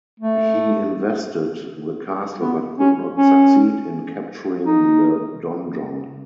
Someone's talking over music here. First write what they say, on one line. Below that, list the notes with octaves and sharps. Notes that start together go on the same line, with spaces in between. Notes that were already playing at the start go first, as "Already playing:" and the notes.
He invested the castle, but could not succeed in capturing the "donjon".
A3
B3
C#4
C#4
D#4